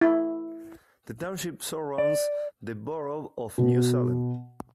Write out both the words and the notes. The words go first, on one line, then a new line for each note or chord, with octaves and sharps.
The township surrounds the borough of New Salem.
E4
D5
B2